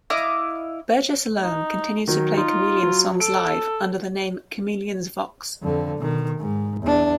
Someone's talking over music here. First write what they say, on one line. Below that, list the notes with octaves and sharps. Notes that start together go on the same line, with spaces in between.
Burgess alone continues to play Chameleons songs live under the name ChameleonsVox.
E4 D#5 F5 D6
D#4
D#3 F#3
D#4 F4
F#3
A4 D7
F2 D3
B2 D#3
G#2
E2 D4